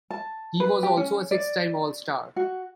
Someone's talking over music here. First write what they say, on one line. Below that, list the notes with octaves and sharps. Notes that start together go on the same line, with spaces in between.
He was also a six-time All-Star.
A5
B4
G4
C#4
D5
F#4